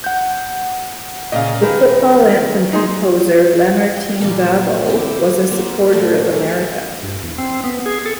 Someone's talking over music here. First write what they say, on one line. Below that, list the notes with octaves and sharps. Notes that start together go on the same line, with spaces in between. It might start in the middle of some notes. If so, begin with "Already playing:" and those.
The football anthem composer Lamartine Babo was a supporter of America.
F#5 G6
A#2 C#3 D#5 F5
D#3 G#4 A#4 B4
D#4 G#4 C6
G5
A#2 E3 F3 G3 A3 A#3
D3 C4 E4
A#3 B3 C5
A#2 E3 F3 A3 A#3
A3 A#3 G#4
G2
E2
C4
B3
G#4
A4